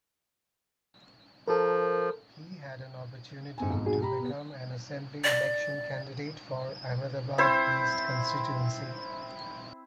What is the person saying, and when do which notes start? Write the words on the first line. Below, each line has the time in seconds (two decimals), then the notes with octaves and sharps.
He had an opportunity to become an assembly election candidate for Ahmedabad East constituency.
1.48 F3 A4 A#4
3.58 G#2 C4 G#5
3.70 B1 F2 G#2
3.86 D#4 F#4 G#4
4.02 G4 A#5 B5
4.19 B2 B3
5.24 D5
7.38 C4 E4 C5